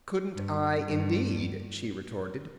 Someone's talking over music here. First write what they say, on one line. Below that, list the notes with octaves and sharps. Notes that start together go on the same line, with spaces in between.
"Couldn't I, indeed," she retorted.
G2
G2